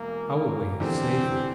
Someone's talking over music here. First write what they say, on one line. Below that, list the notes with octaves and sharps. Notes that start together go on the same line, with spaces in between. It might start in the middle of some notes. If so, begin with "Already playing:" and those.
Our way is safer.
Already playing: E1 E2 A#3
A#3
E2 D3 G3 C4